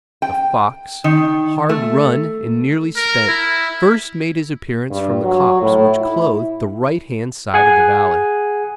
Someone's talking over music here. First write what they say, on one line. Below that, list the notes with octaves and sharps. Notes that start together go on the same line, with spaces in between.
The fox, hard run, and nearly spent, first made his appearance from the copse which clothed the right-hand side of the valley.
G5
D#3
A3
A#4
E4
G2
F#3
A2
E4
G#4 F#5 G#5